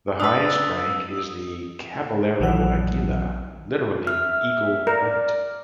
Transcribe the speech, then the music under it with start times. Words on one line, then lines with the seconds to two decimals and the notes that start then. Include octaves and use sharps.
The highest rank is the "Caballero Aguila", literally "Eagle Knight".
0.20 D4 B4 D#6 E6
2.40 A#1 D#3 E3 F#3 F#5
4.07 E5 F6
4.87 A#4 D5